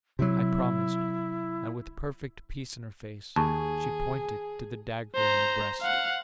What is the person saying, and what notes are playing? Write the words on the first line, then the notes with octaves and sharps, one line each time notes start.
I promised, and with perfect peace in her face, she pointed to the dagger in her breast.
C3 F#3 E4
D#2 G#4 A5 C#6
C5 A#5
F5 F#5